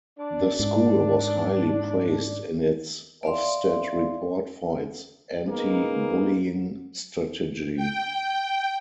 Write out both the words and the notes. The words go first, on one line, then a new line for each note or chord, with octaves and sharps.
The school was highly praised in its Ofsted report for its anti-bullying strategy.
D4 D5
G#2
D5 E5 F5 C6
G#3 A#3 B3 D#4
G5